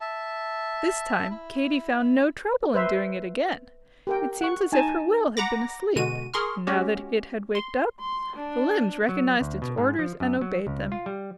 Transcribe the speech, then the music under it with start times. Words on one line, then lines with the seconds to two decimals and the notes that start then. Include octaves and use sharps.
This time Katy found no trouble in "doing it again." It seemed as if her will had been asleep; and now that it had waked up, the limbs recognized its orders and obeyed them.
0.01 E5 A5
1.30 E4
2.74 B4 C5 E5
4.07 G4 A#4 G5
4.41 F#5 C#6
4.72 D#4 G#5 A5
5.37 F#5 A#5 B5 D6 A#6
5.96 B2 D3 G#3 F#4 D#7
6.34 G#4 A#4 C6 C#6 F6
6.67 G#3 C#4 F#4 G4 C#5
7.55 C6
8.00 C6
8.36 D4
9.09 F#3
9.41 D2
9.62 B2
9.78 G#2
9.99 F3
10.20 F#2
10.41 F#3
10.67 C#2
10.92 F4
11.06 G3